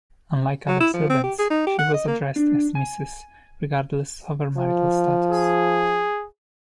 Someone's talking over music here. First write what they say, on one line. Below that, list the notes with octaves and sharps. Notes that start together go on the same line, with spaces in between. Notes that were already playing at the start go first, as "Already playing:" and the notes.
Unlike other servants, she was addressed as Mrs regardless of her marital status.
F#3
E4
F3
C4
G4
G#4
D#4
G4
F#5
D#5
A#3
D4
G#5
F3
G#4